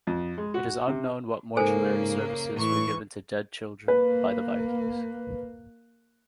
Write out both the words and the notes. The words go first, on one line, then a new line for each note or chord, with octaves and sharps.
It is unknown what mortuary services were given to dead children by the Vikings.
F2
G#3
F#4
C3
G#2 C#3 A#3 A4 C5 G#5
A2 E3 C#6
A#3 B4